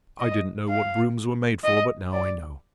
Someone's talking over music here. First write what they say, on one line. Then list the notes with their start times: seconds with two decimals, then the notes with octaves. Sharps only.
I didn't know what broughams were made for, but now I know.
0.20 D#5
0.69 F5
1.65 D#5
2.13 D5